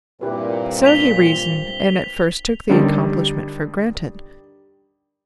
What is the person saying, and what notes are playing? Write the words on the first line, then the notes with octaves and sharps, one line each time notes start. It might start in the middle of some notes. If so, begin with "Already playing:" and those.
So he reasoned, and at first took the accomplishment for granted.
G2 A#2 C4 E4 G4 B4
B6 F7 G7
D3 D#3 G3